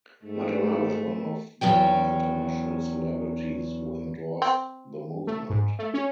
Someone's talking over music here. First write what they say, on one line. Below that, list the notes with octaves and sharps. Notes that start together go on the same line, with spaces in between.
Madonna was one of the international celebrities who endorsed the movement.
G#2 A3
E2 F#3 C#4 G5
C4
A3
G#2
A3
C#4